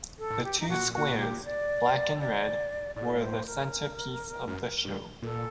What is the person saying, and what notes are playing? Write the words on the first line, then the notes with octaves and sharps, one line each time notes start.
The two squares, Black and Red, were the centerpiece of the show.
A4
A2
G4
D#4
A#2 F#4
F#4
G4
D5
D5
A2 D5
C5
A#4
F#2
G2
A#2 A4